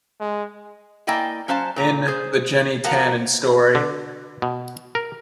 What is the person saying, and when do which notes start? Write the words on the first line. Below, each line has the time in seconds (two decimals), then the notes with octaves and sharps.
In "The Jenny Tannen Story".
0.20 G#3
1.07 A#3 E4 D5 D#5 G5 G#5
1.48 F#3 C#4 C5 F5 A5
1.76 A#2 A#5
2.08 G#4 C5
2.84 F3 F#4 A#4 F5 F#5 A#5
3.75 D3
4.42 B2
4.95 A#4